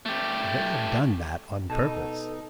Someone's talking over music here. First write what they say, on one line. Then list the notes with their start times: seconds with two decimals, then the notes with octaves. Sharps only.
They have done that on purpose.
0.06 A3 G4
1.70 B2 D#4 A4 D#5 A5